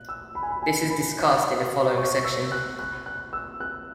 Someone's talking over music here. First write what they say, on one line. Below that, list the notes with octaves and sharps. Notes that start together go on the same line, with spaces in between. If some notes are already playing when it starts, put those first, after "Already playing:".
This is discussed in the following section.
Already playing: F#6
E6
B5
G#5
B5
G#5
B5
C#6
E6
F#6
F#6
F#6
E6
F#6